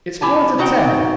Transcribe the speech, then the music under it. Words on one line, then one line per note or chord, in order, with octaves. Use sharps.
"It's quarter to ten."
E4 G4 G#5 A5
C4 D#4 F#4 F#5 G5